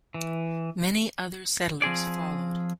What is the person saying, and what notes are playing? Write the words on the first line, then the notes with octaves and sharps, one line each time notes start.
Many other settlers followed.
E3
F3 C4 G#4 D5